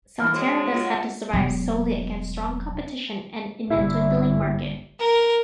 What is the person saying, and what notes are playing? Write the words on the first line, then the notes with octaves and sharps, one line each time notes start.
Saltair thus had to survive solely against strong competition, and in a dwindling market.
E2 G2 E3 F6
F#3 G#3 C5
F4 F#4
E1 F#3
G1 E4
A#4